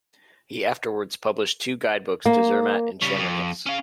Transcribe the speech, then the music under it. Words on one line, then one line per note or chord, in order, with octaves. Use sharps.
He afterwards published two guide books to Zermatt and Chamonix.
A#3
C#3 G3
F2
C#4 F5